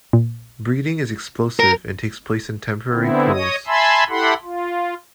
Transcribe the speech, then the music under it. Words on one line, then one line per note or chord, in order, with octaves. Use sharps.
Breeding is explosive and takes place in temporary pools.
A#2
A#4
D3 B3 C4 E4
C#5 D#5 D#6
E5 G#5 A5 B5 C6 E6
E4 G4 A4 F#5 B5 C6
F4